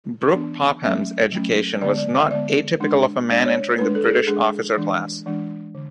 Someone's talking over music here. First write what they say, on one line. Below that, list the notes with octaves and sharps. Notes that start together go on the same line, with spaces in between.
Brooke-Popham's education was not atypical of a man entering the British officer class.
E3 B3 D4
F#3 A3 C#4 E5
F#3 A3 C#4
D3 G#3 B3 D5
D5
E5
D3 G#3 B3 D5
G#3 D4
G#3 D4 D5
C#5
G#3 D4 B4
A4
G#4
A4
G#3 D4 G#4
E3 G#3 D4
E3 G#3 D4
D3